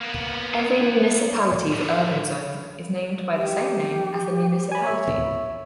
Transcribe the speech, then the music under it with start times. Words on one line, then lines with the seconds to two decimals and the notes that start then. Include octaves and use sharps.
Every municipality's urban zone is named by the same name as the municipality.
0.01 A#3 B3
1.72 A2 D3
3.34 G4
4.72 G#5 B5
4.83 C#5 E5